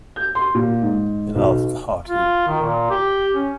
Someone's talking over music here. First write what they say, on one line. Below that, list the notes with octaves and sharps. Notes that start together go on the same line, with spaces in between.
He laughed heartily.
G6
C6
A#2
G#2
B1
F4
D#3
A#2
G4
C#4